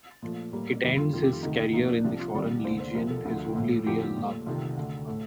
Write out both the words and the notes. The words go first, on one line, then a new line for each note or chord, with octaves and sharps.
It ends his career in the Foreign Legion, his only real love.
A#2 F3 A3
A2 G3 A#3
F2 D#3 G3 A#3 G4
F4
F2 D#3 A3 F4
G4
F4
D2 C3 D#3 A3 D#4
A#2 F3 A#3 D#4
D4
C2 C3 F3 D4
F4
C2 C3 D#3 G3 D5
D#2 D3 A3 C5
C5
C2 C3 F3 A#4
A4
D2 D3 F3 A3
A2 F3 A3
F2 D3 F3 A#3 G4
A#2 A3
C2 C3 D#3 A3 F4
D2 D3 A3
A2 A3